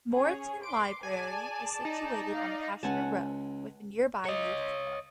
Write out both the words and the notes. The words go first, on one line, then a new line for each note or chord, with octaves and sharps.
Moreton Library is situated on Pasture Road, with a nearby youth club.
C#4 G#4 C#5
B4 C6 D6 D7
G#4 D5 G#5 A5
D#4
D5 D#5 F5
C#2 F#5 G#5 A5
C#5 D#5